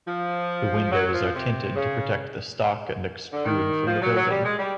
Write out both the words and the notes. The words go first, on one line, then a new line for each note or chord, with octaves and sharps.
The windows are tinted to protect the stock and extrude from the building.
F3
F#3
F3
C3
C#3
D3
D#3
F3
F#3
F#3
G3
G#3
G3